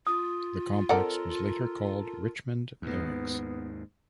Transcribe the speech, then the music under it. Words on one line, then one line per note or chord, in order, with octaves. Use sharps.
The complex was later called Richmond Barracks.
F4 D#6
C4 A4 A#4 D5 F#5
D#2 G#2 B3